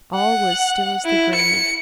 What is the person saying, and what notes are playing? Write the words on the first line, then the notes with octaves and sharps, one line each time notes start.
All was still as the grave.
F#5
E4
C#7